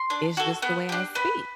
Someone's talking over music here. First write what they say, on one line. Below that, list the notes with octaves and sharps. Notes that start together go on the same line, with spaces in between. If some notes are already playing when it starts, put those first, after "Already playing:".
"It's just the way I speak,"
Already playing: C6
D4
F#4 A4
B3
D4 G4
B3 B5